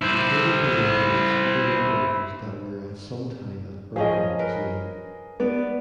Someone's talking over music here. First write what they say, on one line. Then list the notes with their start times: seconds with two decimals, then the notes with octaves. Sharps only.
The table below lists other locomotives that were at some time at Brockham Museum.
0.02 E4 C5
3.96 F3 C#4 G#4 A#4 D#5
4.39 A#4 B4
5.40 B3 D5